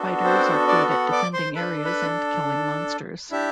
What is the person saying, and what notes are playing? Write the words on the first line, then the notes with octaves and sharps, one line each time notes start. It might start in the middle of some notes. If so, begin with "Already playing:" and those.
Fighters are good at defending areas and killing monsters.
Already playing: B3 D4 F#4 A4
C4 C5
D4 D5
F#4 F#5
D5 D6
C5 C6
D4 A4 B4 B5
B4 B5
D4 E4 G4 E5